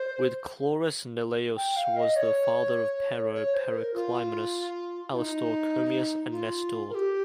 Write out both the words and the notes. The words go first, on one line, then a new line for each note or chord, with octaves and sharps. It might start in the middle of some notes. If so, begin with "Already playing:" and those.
With Chloris, Neleus was the father of Pero, Periclymenus, Alastor, Chomius and Nestor.
Already playing: C5
G5
F5
D#5
C#5
C#5
C5
A#4
F4
F4
D#4
F4
A#4
G4